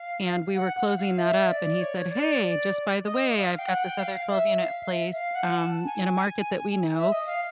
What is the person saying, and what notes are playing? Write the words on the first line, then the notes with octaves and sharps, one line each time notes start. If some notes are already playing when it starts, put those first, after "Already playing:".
and we were closing that up and he said, "Hey, just by the way, I've got this other twelve-unit place," um, in a market that we know,
Already playing: F5
F#5
F#5
F5
E5
D5
C#5
D5
D5
D#5
F5
G5
F#5
G5
F5
F5
E5
F5
E5
F5
F#5
A5
G#5
E5
D#5
F5